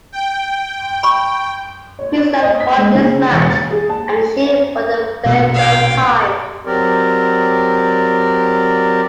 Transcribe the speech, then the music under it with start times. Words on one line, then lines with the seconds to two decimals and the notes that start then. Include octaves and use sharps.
Queensland won this match and the Shield for the very first time.
0.12 G5
1.03 B5 C#6
1.99 C#5
2.42 D#5
2.60 B6
2.78 G#3
2.95 C#3
3.32 E1
3.50 A6
3.71 G#4
3.90 A5
5.25 A#1 B2 A3
5.54 F5 G5
6.65 F#3 C4 G4 A#4 D5